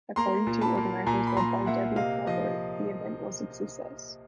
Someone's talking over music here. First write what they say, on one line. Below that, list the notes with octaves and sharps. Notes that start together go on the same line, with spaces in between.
According to organizers led by Debbie Plopper, the event was a success.
A#3 A#5 C6
A#2
A5 B5
A#3
A#2 G#5 A#5
B5
A#2 A#5 C6
A#3 E5 F#5
C3 D#5 F5
F3 D#5 F5